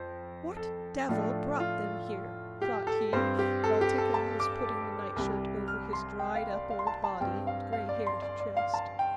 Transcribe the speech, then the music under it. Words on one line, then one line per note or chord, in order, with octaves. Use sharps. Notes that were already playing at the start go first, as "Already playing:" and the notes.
"What devil brought them here?" thought he, while Tikhon was putting the nightshirt over his dried-up old body and gray-haired chest.
Already playing: F2 F3 C5
A4
A2 F3 A3 D4
F4
G4
A4
G2 G3 C4 C5
G4
A4
G4
A4
A5
D6
C2 C3 G3
F6
C6
G5
F5
D5
F5
C6
A5
A5
G2 G3 C4 G5
F5
F5
D5
C6
D5
D5
F5
A5
G5